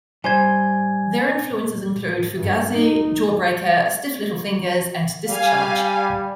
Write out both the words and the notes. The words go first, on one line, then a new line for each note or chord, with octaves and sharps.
Their influences include Fugazi, Jawbreaker, Stiff Little Fingers and Discharge.
G3 C5 G#5 G#6
G2
D#4
G3 F5 G#5